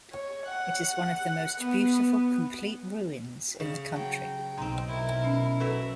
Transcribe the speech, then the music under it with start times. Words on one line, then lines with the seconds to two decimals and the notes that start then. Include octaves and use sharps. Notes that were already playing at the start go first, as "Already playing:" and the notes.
It is one of the most beautiful complete ruins in the country.
0.12 C#5
0.46 F#5
1.58 B3
3.60 C#3
3.96 F#3 G5
4.58 B1 C4 D#4 A#5 C6
4.88 E4 A#4
5.24 C#4
5.60 F#3 F#4 A4 B4 E5